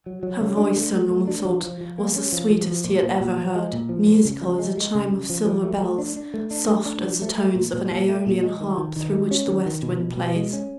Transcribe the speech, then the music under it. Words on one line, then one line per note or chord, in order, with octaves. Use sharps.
Her voice, Sir Norman thought, was the sweetest he had ever heard, musical as a chime of silver bells, soft as the tones of an aeolian harp through which the west wind plays.
F#3
F#3
C#3
D4
A3
A3
A3
D4
F3
F3
F3
A#3
C#4
F3
F3
F3
A#2
A#2
A#2
F3
G#3
A#2
F3
A#2
C#3
F3
G#3
G#3
C#3
C#3
F3
F3
A3
A3
D4
D4
A3
D4
A3
D4
F3
A3
A3
A#2
A#2
A#2
A3
A#2
G#3
D#3
D#3
D#3
G#3
C#4
D#3
D#3
B2
B2
B2
G#3
C#4